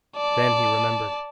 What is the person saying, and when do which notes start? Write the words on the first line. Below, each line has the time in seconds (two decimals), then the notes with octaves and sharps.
Then he remembered.
0.16 D5 A5